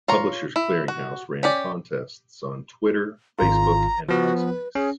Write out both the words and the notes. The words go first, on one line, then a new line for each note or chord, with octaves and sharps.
Publishers Clearing House ran contests on Twitter, Facebook and Myspace.
F4 C#5 A#5
E4
F#4
C#4 G4 D5
G#1 F4 A#5
F3 B3 F#4
B4
C#4 G#4